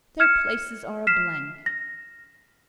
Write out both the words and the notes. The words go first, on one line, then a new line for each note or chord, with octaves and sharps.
Their places are a blank.
F6 G#6 C#7 E7
F6 B6 C7 E7
A#6